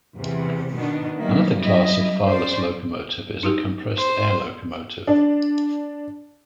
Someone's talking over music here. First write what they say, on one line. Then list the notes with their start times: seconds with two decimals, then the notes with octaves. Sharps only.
Another class of fireless locomotive is a compressed-air locomotive.
0.16 E2 C3 E3
0.75 B2 D#3 B3 D4
1.18 D#3 F#3 G3 A#3 E4
1.59 F#2 G3 E4 D#5
2.23 C#4 C5 D5
3.43 D#4 F#4 G4
4.00 C5
5.07 D4